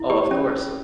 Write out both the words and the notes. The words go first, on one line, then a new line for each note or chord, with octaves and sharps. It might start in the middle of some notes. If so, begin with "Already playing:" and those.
Oh, of course.
Already playing: E4
G4
C#4